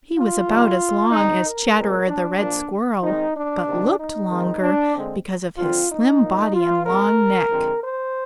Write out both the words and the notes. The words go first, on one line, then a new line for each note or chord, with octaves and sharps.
He was about as long as Chatterer the Red Squirrel but looked longer because of his slim body and long neck.
F4
D#3 G3 A#3
D3 G#3 C4 D#4
A#4
A#2 G#3 C4
D4
A#2 F3 A#3 D4
D#3 G#3 C4 D#4
D4
C3 D#3 A#3
D#4
D#3 G#3 C4
D4
D3 G#3 C4
D3 F3 C4 F4
D#4
A#2 F3 A#3
F4
A#2 G#3 C4 A#4
D3 F3 G#3 C4
C5